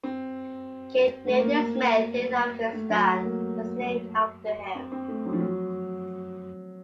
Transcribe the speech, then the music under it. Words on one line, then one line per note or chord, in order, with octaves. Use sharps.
Camp Nathan Smith in Afghanistan was named after him.
C4
A3
A#3
A3
F#3
A#3
C4
C4
A3
F#3
F3
F#3